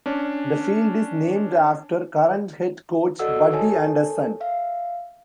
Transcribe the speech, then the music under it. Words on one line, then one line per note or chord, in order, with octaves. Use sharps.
The field is named after current head coach Buddy Anderson.
C#4 D4
F#4 A4 D5 D#5 F#5 E6
A4 A#4 C#5 G#5 A5
E5 F5